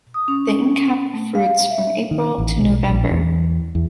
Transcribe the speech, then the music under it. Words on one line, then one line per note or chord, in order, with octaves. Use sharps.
The ink cap fruits from April to November.
D#6
C#4
A3
F5
E5
D#3
A1
B1
A#1
E2
E2